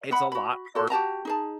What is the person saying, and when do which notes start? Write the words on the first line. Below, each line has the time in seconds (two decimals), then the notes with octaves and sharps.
it's a lot harder
0.11 D#5 F#5 B5
0.32 F#4 B5
0.75 F#4 A4
0.90 F#4 G4 A5 A#5
1.25 D#4 G#4 A5